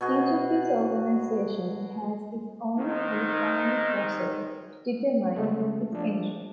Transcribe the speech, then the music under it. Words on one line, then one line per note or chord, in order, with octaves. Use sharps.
Each of these organizations has its own qualifying process to determine its entrants.
B2 F#4 G#4
G#2 D#3
C#3 G#3 A3
F3 D4